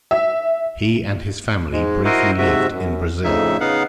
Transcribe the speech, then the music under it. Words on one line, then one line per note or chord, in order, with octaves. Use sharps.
He and his family briefly lived in Brazil.
E5
G#2 G#3
E4 F#4 A#4 C5 D#5
G#2 C3 F#4 E5
F#2
F2 A2 C#3 D#4 E5
C#3 B3 D#4 F5 F#5